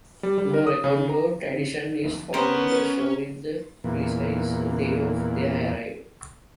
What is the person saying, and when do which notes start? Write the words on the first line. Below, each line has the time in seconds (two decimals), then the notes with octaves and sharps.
No record or tradition is found showing the precise day of their arrival.
0.23 G3
0.38 G3
0.53 A#4
0.67 D#6
0.84 C#3
1.10 A#5
2.34 B3 C#4 A#4 C5
3.84 E2 A#2